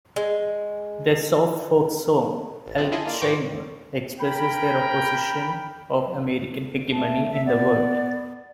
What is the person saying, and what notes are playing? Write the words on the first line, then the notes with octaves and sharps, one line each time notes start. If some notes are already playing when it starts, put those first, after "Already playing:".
Their soft folk song, "Alzheimer" expresses their opposition of American hegemony in the world.
G#3
A1
F#2 C#3 F3 C4
E4 F4 G#4 A4 D#5
A#3 F4 D5
G#2 C#5 G5 C6 D6
C#4 A#4 G5 B5
A3 A5
E5
B3 D5